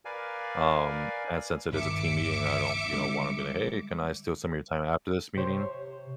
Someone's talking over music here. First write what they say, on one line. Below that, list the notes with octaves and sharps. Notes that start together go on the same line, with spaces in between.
Um, and since it is a team meeting, I don't, you know, wanna be like, "Hey, can I steal some of your time after this meeting?"
A#4 B4 D5 F5 G#5
G1 D#3 E5 D6 C#7
D3 G3 G#3
C3 G4 C5 C#5